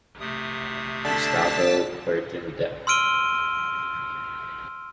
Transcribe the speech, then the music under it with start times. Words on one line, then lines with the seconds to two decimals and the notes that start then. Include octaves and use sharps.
Gustavo Kuerten def.
0.20 C3 A3 D#6
1.05 D3 A5 B6 E7
2.87 C6 E6 F6 D7 D#7 G7